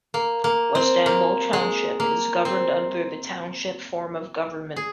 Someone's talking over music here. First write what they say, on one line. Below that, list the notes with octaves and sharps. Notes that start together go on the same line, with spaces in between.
West Amwell Township is governed under the Township form of government.
A#3
A#3
C4
A#3
G#3
A#3
C4
G#4